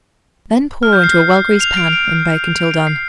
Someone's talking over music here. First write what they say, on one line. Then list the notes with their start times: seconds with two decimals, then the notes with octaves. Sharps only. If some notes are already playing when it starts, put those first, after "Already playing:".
Then pour into a well-greased pan and bake until done.
0.83 F6
0.93 G6
1.04 C7
1.61 F7
1.77 D7
1.88 F7
1.93 D7
2.71 D7
2.87 C7